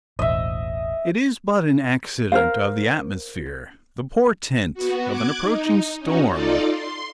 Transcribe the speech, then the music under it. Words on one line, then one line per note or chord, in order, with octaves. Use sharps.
It is but an accident of the atmosphere--the portent of an approaching storm.
E1 A1 D#5 E5
A#4 C5 F5
B3 F#4
D6 F#6 G#6
D#4
C#4 D#4 F#4
D#4 F4 A4 D5 A5
C6